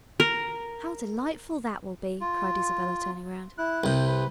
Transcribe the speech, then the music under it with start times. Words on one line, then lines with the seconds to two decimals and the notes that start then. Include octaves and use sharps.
"How delightful that will be!" cried Isabella, turning round.
0.20 A#4
2.21 F4
3.58 E4 F#6
3.84 C2 C3 G5
4.07 B4